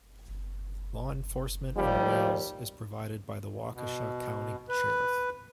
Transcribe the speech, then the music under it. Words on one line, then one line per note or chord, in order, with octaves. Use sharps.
Law enforcement in Wales is provided by the Waukesha County Sheriff.
D#2 F3 G3
B2
B4